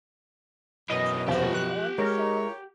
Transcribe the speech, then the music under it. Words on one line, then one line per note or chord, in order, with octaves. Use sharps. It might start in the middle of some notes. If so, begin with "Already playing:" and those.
To to be on the show?
B1 F#2 B2 E3 D#5
E2 C3 F3 C4 G4 F#5
F3 F#6
G#3 A#4 C#5